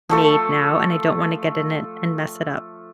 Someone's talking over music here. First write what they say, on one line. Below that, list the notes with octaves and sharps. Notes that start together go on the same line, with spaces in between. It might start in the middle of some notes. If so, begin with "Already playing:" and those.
made now, and I don't wanna get in it and mess it up.
F3 A3 A4